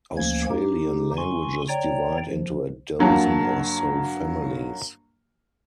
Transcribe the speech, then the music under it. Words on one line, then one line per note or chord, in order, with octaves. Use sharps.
Australian languages divide into a dozen or so families.
D2 F3 A#3 C#4 G#6
D#4 G4
G#5 C6 C#6
C#5 D5 G5 A#5
F3
G2 F#3 A#3 A5